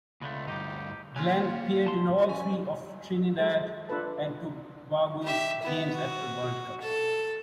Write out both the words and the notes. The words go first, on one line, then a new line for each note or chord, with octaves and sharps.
Glen appeared in all three of Trinidad and Tobago's games at the World Cup.
C#2 B2 D3 A3
D2 G2 D#4 G4
F#3 A#3 C#4 F4 G#5
C2 A5 C6
C#4 G#5
G#3 A4 C5 G5
D4 F4 A4 B4 A5
G4 E5
B3 E4
F#4
A4